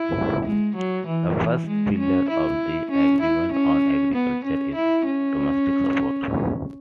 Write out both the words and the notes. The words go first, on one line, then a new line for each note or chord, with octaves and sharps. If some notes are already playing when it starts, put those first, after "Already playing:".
The first pillar of the Agreement on Agriculture is "domestic support".
Already playing: E4
G#3
F#3
E3
E3
G#3
C#4
E4
C#4
E4
C#4
B3
C#4
E4
C#4